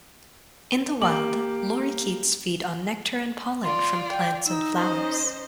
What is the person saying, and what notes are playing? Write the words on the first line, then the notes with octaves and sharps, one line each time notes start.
In the wild, lorikeets feed on nectar and pollen from plants and flowers.
A#3 G4 D6 F#7
F4 D5 C6
G5
D#4 E6
C#4 C5 D#5